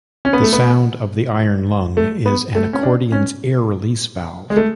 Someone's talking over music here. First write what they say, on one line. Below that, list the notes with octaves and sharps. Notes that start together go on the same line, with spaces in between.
The sound of the iron lung is an accordion's air release valve.
C#4
B3
A3
B3
A3
B3
A3
C#4
D4
C#4
G#3
A3